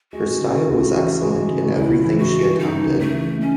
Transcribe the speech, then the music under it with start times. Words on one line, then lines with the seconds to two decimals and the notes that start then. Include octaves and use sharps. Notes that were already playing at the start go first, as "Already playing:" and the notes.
Her style was excellent in everything she attempted.
0.13 G#3 F#4
0.40 C#3
0.68 C#2
0.95 E3
1.22 G#3
1.49 C#3
1.77 C#2 E4
2.04 E3
2.18 F#4
2.32 G#3
2.59 C#3 D#4
2.86 C#2
2.99 A3
3.14 E3
3.41 C#4 D#4